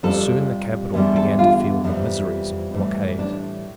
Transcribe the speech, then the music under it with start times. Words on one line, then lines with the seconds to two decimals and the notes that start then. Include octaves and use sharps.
Soon the capital began to feel the miseries of a blockade.
0.03 F2 C3 G3 A4
0.94 E2 D3 G3
1.16 A4
1.39 F4
1.84 F2 C3 E3 G3
2.73 A2 E3 G3
3.19 D4